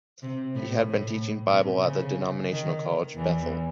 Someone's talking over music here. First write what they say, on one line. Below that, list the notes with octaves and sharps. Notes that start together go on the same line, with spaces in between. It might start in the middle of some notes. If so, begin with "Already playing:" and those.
He had been teaching Bible at the denominational college, Bethel.
C3
A2
A2
C3
C#3
D#3
E2 E3